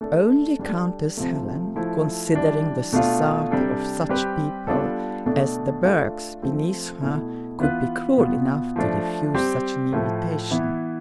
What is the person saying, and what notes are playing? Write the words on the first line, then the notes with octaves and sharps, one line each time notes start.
Only Countess Helene, considering the society of such people as the Bergs beneath her, could be cruel enough to refuse such an invitation.
A3 D4 A4
G3 D4 A4
C3 F3 A3
F3 A3 E4
E3 G3 D4
B2 A3 D4 F4
C3 G3 D4 A4
G3 C4 G4 B4
G3 B3 D4 F4 A4
B2 A3 D4 A4
A3 D4 F4 A4
F3 A3 C4
B2 A3 E4
E3 B3 F4 B4
B2 B3 F4
F3 A3 D4
G3 C4 G4
A2 F3 A3
E3 B3 E4